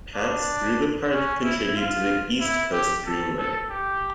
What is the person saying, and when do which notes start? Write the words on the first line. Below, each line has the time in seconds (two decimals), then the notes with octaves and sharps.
Paths through the park contribute to the East Coast Greenway.
0.15 D4
1.12 C#4
1.44 E4
1.76 F4
2.41 E4
2.73 G4
3.06 A4
3.38 A4
3.70 G4